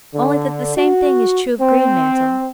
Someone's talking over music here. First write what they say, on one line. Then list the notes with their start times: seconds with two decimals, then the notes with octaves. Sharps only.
'Only that the same thing is true of Greenmantle.
0.14 D3
0.76 F#4
1.60 C4